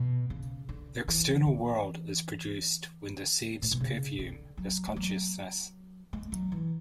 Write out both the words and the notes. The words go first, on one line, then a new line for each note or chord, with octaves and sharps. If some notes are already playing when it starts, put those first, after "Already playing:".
The external world is produced when the seeds "perfume" this consciousness.
Already playing: B2
C#3
D3
E3
E3
A2
B2
C#3
D3
F#3
G#3
F#3
G#3
F#3
E3